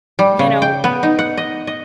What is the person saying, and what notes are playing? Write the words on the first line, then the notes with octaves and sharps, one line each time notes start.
you know,
G3
C#3
G5
B3
D#4
F#5
D#5
D#5